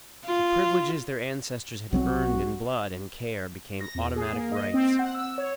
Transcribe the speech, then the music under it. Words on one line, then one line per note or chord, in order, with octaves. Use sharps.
The privileges their ancestors had earned in blood and care became automatic rights.
F4
B1 F#3 C4 F#4
A#6
E2
G#4
A#3
D#5
C4
F#5
E6
C#5